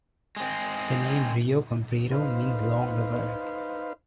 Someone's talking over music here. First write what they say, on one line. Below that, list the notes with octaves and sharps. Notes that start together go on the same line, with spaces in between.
The name "Rio Comprido" means Long River.
G#3 C4
D#4 B4 C5 F5